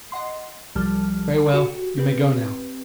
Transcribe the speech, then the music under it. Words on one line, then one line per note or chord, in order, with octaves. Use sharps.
"Very well, you may go now."
D#5 F#5 C6 C7
C2 F3 G3 A5 F6
F#4 G4 A4
C4 G4 B4